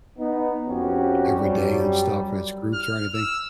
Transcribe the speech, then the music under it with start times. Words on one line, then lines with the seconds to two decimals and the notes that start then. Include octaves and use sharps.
every day and stuff as groups or anything?
0.18 B3 D#4
0.67 F2 C#4 F#4 G4
1.37 F#2 G3
2.74 F6
3.14 E6